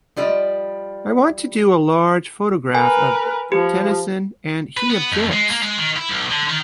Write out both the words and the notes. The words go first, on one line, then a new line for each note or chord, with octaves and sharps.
I want to do a large photograph of Tennyson and he objects!
F3 G3 D5 D#5
A#4 B4 G#5
F3 G4
B4
B3
F2
G#3
A#3
G#3
D#3
E4
B1
D3
D#3